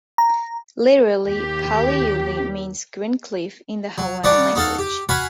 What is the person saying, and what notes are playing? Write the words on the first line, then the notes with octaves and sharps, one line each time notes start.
Literally "pali uli" means "green cliff" in the Hawaiian language.
A#5
D#2 G4
F#3
D#3 G3 D4 F#4 D5 F#5
D#4 F#4 A4 F5
G4
F#4 F5 F#5 G#5 B5